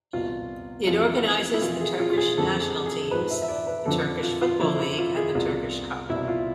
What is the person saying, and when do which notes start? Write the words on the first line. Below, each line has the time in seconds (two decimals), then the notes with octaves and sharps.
It organizes the Turkish national teams, the Turkish football league and the Turkish Cup.
0.13 C2 B2 F4
0.87 F2 E3 F4
1.54 E4
1.62 F2 E3 F4
1.81 G#4
2.00 F4
2.10 F4
2.17 G#4
2.36 F2 D3 F3 A4
2.61 G#4
2.86 G#4
3.11 G#2 F3 B4
3.30 E5
3.42 E5
3.48 D5
3.67 B4
3.85 F2 D3 F3 A4
4.23 F4
4.41 F4
4.60 F2 D3 F3 E4
4.80 E4
4.98 F4
5.16 G#4
5.35 C2 B2 F4
6.09 C2 B2 E4
6.28 F4